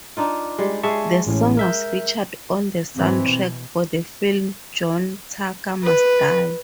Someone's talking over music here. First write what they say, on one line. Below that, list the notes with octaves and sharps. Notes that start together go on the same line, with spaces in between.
The song was featured on the soundtrack for the film "John Tucker Must Die".
D4 D#4 F4
G3 G#3
G#3 G#4 E5 A5 C#6
A1 A2 C#4
A#4 E5 G6
G#2 E3 C4
B2
B4